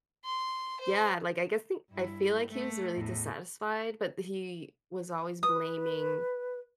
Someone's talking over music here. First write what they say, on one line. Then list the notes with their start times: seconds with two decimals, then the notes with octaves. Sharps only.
yeah, like I guess think? I feel like he was really dissatisfied, but he was always blaming
0.25 C6
0.80 C5
1.91 G2 E4
2.49 A3
2.95 E2 A2
5.43 B4 D#6